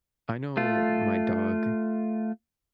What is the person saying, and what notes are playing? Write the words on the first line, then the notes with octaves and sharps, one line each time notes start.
I know my dog,
A3 F4